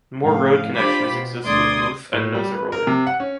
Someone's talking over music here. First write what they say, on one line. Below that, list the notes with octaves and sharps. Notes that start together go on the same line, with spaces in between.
More road connections exist with Mouthe and Nozeroy.
F2 A2 F5
D4 F4 G4 C5 B5 D6
B2
D2 B2 D5 C6 D#6 G#6
A2
G3
B4
A#4
C3
F#5
C#4